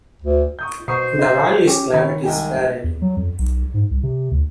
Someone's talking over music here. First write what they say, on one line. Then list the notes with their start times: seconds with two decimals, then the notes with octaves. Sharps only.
The valley's climate is varied.
0.22 D2
0.59 C#6 D#6 G6
0.88 B2 C5 C#6 D#6 C7
1.19 D#5 C6
1.67 C#4 G4
1.94 D#3 C#5 B5
2.23 C2 G#3 G5 G#5
2.84 E2
3.02 F#3
3.17 F2
3.39 B1
3.74 G#2
3.91 C2
4.03 C3
4.31 D2